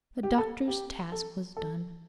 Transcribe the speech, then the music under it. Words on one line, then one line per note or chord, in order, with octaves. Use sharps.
The doctor's task was done.
G4
A4
G4
A4
A4